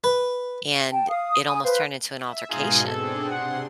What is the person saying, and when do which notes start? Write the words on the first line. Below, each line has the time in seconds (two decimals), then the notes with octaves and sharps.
and it almost turned into an altercation
0.04 B4
0.91 G5 A5
1.08 F5 D#6
1.46 G#5 D#6
1.64 B4 C5 F5
2.15 E5
2.50 G#2 B2 D#4 F4 G#4 G#6
2.86 C4 D4 G#4 A4
3.29 C3 F#5 C6